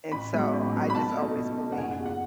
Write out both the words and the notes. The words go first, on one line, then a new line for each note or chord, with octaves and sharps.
and so I just always believe
A1 B5
G#2 F#3 B3
A1
G#2 F#3 B3
B5
B1 A5
B2 A3 D#4
B1
B2 A3 D#4
F#5
F#1 G#5
F#5
E2 C#3
F#5